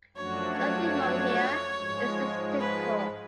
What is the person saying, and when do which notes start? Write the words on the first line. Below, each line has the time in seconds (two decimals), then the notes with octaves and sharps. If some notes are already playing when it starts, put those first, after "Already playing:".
Nothing wrong here, it's just typical.
0.16 F#2 F3 A3 D4 F#4 C#5
0.58 C#5
1.78 G#2 F3 G#3
2.59 B4